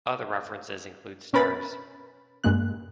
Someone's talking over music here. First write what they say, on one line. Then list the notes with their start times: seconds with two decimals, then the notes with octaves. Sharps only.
Other references include stars.
1.33 B2 C#4 A#4 B4 B5 A6
2.44 G2 G#3 A#3 F#6